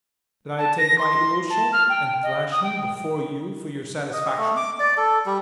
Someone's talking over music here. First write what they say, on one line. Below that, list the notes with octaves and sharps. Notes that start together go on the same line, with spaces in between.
That I'd take my Ilusha and thrash him before you for your satisfaction?
A5
A#6
C6
A5
F6
G5
D#5
D#6
G5
D#5
A3
D6
D5
A4
G3